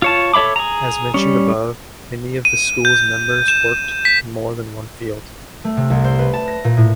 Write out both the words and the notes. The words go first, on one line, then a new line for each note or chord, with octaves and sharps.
As mentioned above, many of the school's members worked in more than one field.
F4 C#5 A5
A4 C#5 E5 B5 D6
G#4 A#5
G3 C#4
D#7
G6
E7
B6
A3
C3
C2
C5
B4
A5
A#6
A#2
A2